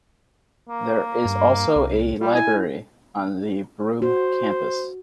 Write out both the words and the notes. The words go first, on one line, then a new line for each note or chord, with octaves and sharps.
There is also a library on the Broome Campus.
A#3
G2
C2
G3 F4
E4 G#5
F#4 C5